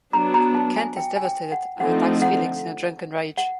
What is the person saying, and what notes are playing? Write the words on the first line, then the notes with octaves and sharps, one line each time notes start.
Kent is devastated and attacks Felix in a drunken rage.
F#3 B3 D4 A#5
A#5
A5
G#5
G5
G#5
G5
F#5
D3 F3 A3 C4 D#4 F#5
F#5
F#5